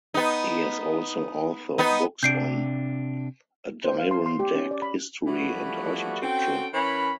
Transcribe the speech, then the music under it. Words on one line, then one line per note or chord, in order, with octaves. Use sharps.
He has also authored books on Adirondack history and architecture.
B3 D#4
B3 D#4
C3 D4 G6 C7 D7
C5
F5
C6
C6
G4
C#4
D5
B5
E3 F3 G3 A3 B3 F#4
C4 C#4 F#4 A4 G5
E3 C#4 A#4 C#5 B5